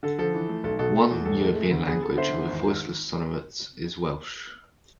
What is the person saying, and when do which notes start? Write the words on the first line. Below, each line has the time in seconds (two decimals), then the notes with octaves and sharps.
One European language with voiceless sonorants is Welsh.
0.03 D3 A4
0.18 F3 A4
0.34 E3
0.49 A3
0.64 B1 A4
0.79 B2 A4
0.94 A3
1.11 E2
1.25 A2 A4
1.41 G#3
1.56 A3
1.71 D2
1.87 B3 G#4
2.01 B3 A4
2.17 D3 C5 E5
2.33 E2
2.48 G#1
2.63 G#1